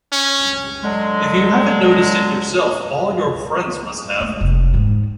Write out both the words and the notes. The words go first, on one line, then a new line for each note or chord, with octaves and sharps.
If you haven't noticed it yourself all your friends must have.
C#4
D3 F#3 G#3
G#3 A3
F1 B2
F2 G#2